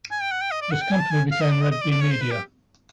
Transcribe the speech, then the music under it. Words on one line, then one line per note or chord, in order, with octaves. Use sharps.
This company became Red Bee Media.
G#5
G5
F#5
G5
D#5
D5
F#5
G5
G#5
A5
G#5
F5
D#5
D5
D#5
D#5
D5
D5
C#5
C5
B4
G4